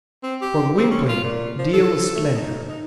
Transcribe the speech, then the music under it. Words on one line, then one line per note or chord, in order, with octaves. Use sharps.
For Gwynplaine, Dea was splendour.
C4
G4
C4
C#4
F4
A#2
F3
A4
A3
D#4
D#4